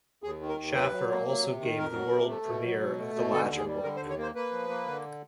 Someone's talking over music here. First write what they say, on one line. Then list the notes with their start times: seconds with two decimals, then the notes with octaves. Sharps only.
Shaffer also gave the world premiere of the latter work.
0.23 D#2 G#4
0.40 D#3
0.49 A#4
0.58 D#2
0.74 F#3 B4
0.92 F#3
1.09 A#3
1.26 F#3
1.43 C3
1.60 D#3
1.78 F2 A#4
1.95 F#3
2.12 C3
2.29 A3
2.46 B2
2.64 F#3
2.81 B2
2.98 A3
3.15 B2
3.32 D3 A4
3.50 D#2
3.57 G#4
3.67 G3
3.83 D3 A#4
3.96 C5
4.01 D#2
4.10 C#5
4.18 A#3 C5
4.35 A#3 B4
4.52 F3
4.69 A#3
4.87 D3